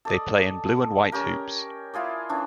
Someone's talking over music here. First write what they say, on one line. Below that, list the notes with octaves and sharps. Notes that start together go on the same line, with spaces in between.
They play in blue and white hoops.
A4 D5 D#5
C#4 G4 A#4
E4 F4 G#4 D5
E3 C#4 D4